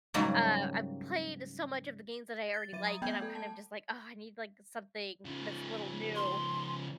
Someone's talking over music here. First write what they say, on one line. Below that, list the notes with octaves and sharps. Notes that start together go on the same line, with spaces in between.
uh, I've played so much of the games that I already like, and I'm kind of just like, "Oh, I need, like, something that's a little new,"
G#2 C#3 F#3 G3 A#3
A6
F#3 E5 D#7
A#5 D#6
A3 B3 G5 B5 G6 G#6
A4
A5
C#3 F3
C6